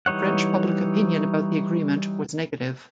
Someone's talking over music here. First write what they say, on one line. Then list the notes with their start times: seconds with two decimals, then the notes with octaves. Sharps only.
French public opinion about the agreement was negative.
0.06 E3 G3 D#4 C#5 F#5